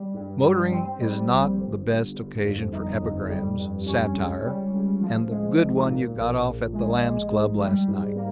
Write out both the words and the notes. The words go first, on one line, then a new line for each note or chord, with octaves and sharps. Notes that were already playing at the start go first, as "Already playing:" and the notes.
Motoring is not the best occasion for epigrams, satire, and the Good One You Got Off at the Lambs' Club last night.
Already playing: G3
G2
G3
C4
G3
A#1
G1
G1
G1
F2
D#4
F2
G3
G2
C#4
C#2
G3
C#2
F3
G#3
G#1
A#2
A#1
A#1
G#3
G#3
G#2
G3
G#2
A#3